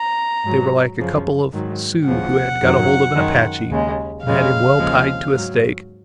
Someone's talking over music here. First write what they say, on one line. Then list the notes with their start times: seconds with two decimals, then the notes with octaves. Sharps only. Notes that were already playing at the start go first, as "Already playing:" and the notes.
They were like a couple of Sioux who had got hold of an Apache and had him well tied to a stake.
Already playing: A#5
0.43 G#2 F#3
0.98 F#2 C#3 F3
1.52 G#2 D#3 F#3
2.06 D#2 C#3 F3 F#5
2.60 F#2 D#3 F#3
3.15 F#2 D#3 G#3
3.70 D#2 C#3 G#3
4.23 F2 C#3 G#3 F5
4.78 D#2 C#3 F3 G#3
5.33 G#2 F#3